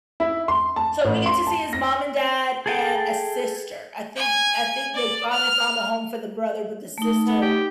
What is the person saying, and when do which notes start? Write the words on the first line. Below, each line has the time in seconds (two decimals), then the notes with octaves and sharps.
so we get to see his mom and dad and a sister. I think I think they finally found a home for the brother, but the sister,
0.20 E4
0.48 C6
0.76 A5
1.05 A1
1.26 C6
1.47 A5
1.73 A#6
2.66 G#4 A4 G5
4.16 G#5
4.95 D5
5.32 F6
6.98 A3 D#4
7.27 B3
7.42 G4